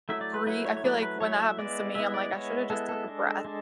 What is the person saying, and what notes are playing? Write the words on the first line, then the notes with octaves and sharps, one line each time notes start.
brea I feel like when that happens to me, I'm like I shoulda just took a breath
F#3 A3 E4 E5
D5
B4
F#3 A3 E4 B4
C#5
C#5
F#3 A3 E4 D5
B4
F#3 A3 E4 C#5
E5
G#3 B3 E4 D5
G#3 B3 E4 E5
D5
G#3 B3 E4 C#5
G#3 B3 E4 A4
A4
G#3 D4
G#3 D4